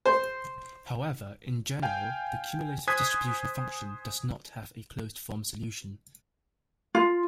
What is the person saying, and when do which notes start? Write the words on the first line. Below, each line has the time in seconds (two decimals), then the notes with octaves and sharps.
However, in general the cumulative distribution function does not have a closed form solution.
0.05 C5
1.82 F5 G5 G#5
2.87 C5 G#5 D#6 F#6 G#6 B6
6.95 F4